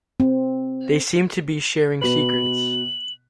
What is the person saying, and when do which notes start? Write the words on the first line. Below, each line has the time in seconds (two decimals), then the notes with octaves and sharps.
They seem to be sharing secrets.
0.20 C4
2.01 B2 B4 F#7